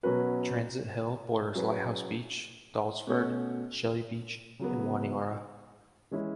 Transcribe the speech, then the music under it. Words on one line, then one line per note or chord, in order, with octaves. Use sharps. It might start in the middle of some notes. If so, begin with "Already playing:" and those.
Transit Hill borders Lighthouse Beach, Dahlsford, Shelly Beach and Waniora.
B2 F#3 C#4 F#4 B4
F#3 C#4 G#4 B4
B2 A3 C#4 F#4 C#5
C#3 F#3 B3
E3 G#3 C#4 E4 G#4